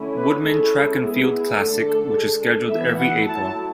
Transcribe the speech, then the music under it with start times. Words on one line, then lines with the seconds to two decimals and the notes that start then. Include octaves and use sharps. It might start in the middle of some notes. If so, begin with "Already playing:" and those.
Woodman Track and Field Classic, which is scheduled every April.
Already playing: D3 A3 C#4 E4
0.17 B4
0.45 G#3 C#4 E4 A4
1.01 G#3 B3 E4 G#4
1.57 D3 A3 D4 A4
2.14 G#3 D4
2.42 A4
2.70 E3 B3 E4 E5
2.98 F#5
3.26 F#3 A3 E4 A5